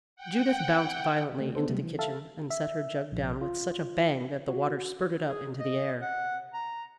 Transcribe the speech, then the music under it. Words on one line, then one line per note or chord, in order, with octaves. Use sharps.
Judith bounced violently into the kitchen and set her jug down with such a bang that the water spurted up into the air.
F#5 G5
C#3 A3
B3 D4 A4 C5
C3 F#3 G3 A3 B3
E3
A4 E5 F5 A5
E5
A#1
F4
F#4
G#4
D#5
F#5
A#5